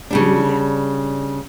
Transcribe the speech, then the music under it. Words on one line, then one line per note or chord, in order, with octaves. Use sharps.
Ooh, yeah.
C#3 G3 D4